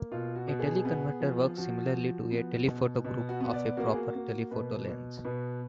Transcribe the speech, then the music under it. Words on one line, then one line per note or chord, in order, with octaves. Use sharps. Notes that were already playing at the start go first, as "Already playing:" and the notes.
A teleconverter works similarly to a "telephoto group" of a proper telephoto lens.
Already playing: A#3
B2 F4
F#4
B2
G#4
B3
F3
F3 F#4
F3
B3
B2
B2
F#4
B3
D5
A#3 F#4
G#4
F#4
A#3
B2 B4
B2
B2 B4